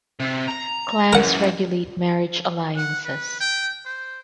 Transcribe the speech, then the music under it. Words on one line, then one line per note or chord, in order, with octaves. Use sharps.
Clans regulate marriage alliances.
C3
A#5
F#2 E3 A#4 F#5
F#5
B4
G5
C5